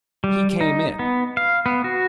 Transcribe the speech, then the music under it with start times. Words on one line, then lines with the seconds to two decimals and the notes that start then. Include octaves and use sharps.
He came in.
0.24 G3
0.61 D#4
0.99 B3
1.37 F5
1.66 B3
1.84 F#4